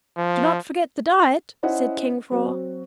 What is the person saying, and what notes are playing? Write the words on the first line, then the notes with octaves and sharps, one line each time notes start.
"Do not forget the diet!" said King Hroar.
F3
C#4 E4 C5 D#5 F#5
F#3 C4 F#4